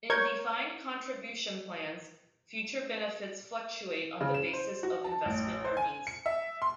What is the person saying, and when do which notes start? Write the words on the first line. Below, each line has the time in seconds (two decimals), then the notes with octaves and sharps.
In defined contribution plans, future benefits fluctuate on the basis of investment earnings.
0.10 A#4 C#5 C#6 G6 G#6
4.21 C#3
4.34 E7
4.53 C5
4.83 F#4
5.04 A5
5.25 A1
5.64 C5
5.77 G#5
6.07 C#7
6.26 E5
6.62 C6